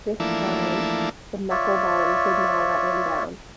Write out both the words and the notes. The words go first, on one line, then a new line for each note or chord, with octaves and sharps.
This time, the knuckleballer did not let him down.
E3 F3 A3 A#3 D4 E4
F4 C#5 D5 E5